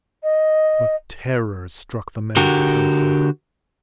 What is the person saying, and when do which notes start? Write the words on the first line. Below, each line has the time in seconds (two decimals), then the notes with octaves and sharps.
But terror struck the men of the Council.
0.23 D#5
2.37 D3 F#4 G4 A#4